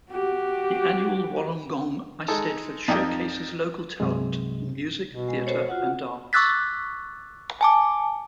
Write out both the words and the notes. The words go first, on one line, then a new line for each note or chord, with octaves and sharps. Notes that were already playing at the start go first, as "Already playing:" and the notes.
The annual Wollongong Eisteddfod showcases local talent in music, theatre and dance.
F#4 G4
G#3 D#4 A4
F2 D#4 D5 G5 D#6
C2 G2 C3 F#3 G#3
B2
G#3
A4 C5 C#5
F4 F#4 F#5
C#6 D6 E6 F#6 A6 B6
G#5 A5 D6